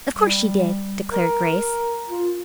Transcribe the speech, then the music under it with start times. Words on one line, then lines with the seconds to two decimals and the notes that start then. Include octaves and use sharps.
"Of course she did," declared Grace.
0.16 G3
1.12 A#4
2.09 F4